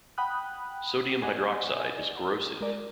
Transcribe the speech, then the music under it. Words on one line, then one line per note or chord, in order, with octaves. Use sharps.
Sodium hydroxide is corrosive.
F#5 G5 B5 D#6 F#6
D5 D#5 F#5 G#5
G#3 A#4 D5